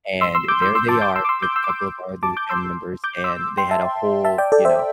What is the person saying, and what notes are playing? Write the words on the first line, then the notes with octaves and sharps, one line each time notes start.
and there they are with a couple of our other family members, and they had a whole, you know,
C6 E6
C6 E6
D6 G6
C6 E6
C6 E6
A5 D6
D6 G6
C6 E6
D6
C6 E6
D6 G6
C6 E6
D6
C6 E6
A5 D6
D6 G6
C6 E6
D6 G6
C6 E6
G5 C6
E5 A5
E5 A5
D5 G5
A4 D5
C5 E5